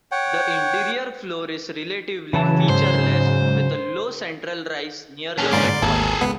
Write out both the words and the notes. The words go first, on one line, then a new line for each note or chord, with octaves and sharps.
The interior floor is relatively featureless, with a low central rise near the midpoint.
C#5 F#5 G5
C#3 E3 F#3 A5
G#2 C5
A#2 C#4 G#4 A5
G1 G#2 D3 D5 C6 D6
G#1 D#2 G#4 A4
C#2 B3